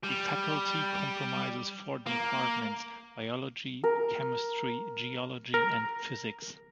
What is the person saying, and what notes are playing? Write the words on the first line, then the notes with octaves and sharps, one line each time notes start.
The faculty comprises four departments: Biology, Chemistry, Geology, and Physics.
G3
A#3
A#4
A#4